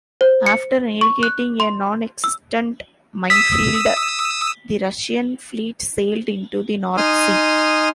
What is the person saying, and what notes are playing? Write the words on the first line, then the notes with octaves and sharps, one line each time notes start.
After navigating a non-existent minefield, the Russian fleet sailed into the North Sea.
C5
C#7
C#6
F#6
C6
E6
D#6 E6 B6
D#4 G#5 C6 D#6 F6